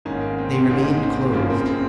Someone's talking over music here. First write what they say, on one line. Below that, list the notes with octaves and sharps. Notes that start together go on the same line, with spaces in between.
They remained closed.
G#1 G#2 D#3 A#3 C#4
A#3
C4
C4
G#1 G#2 D#3 A#3 C#4
C4
F#1 F#2 C#3 F3 A#3 C#4
C4
C4